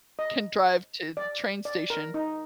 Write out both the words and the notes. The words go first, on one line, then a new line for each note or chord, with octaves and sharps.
can drive to the train station
D#5
D5
D5
A#4
D#4